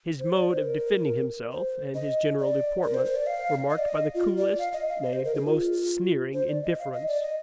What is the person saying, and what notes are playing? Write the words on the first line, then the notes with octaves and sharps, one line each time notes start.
His mode of defending himself, and his general deportment, were marked by the coolest, nay, the most sneering indifference.
C5
D5
C5
A#4
C5
D#5
D5
A#4
C5
C5
D5
F5
D#5
D5
D#5
F4
D5
F5
D#5
F5
D#5
C5
A#4
G#4
F4
C5
D5
D#5
F5
D#5
D5
D#5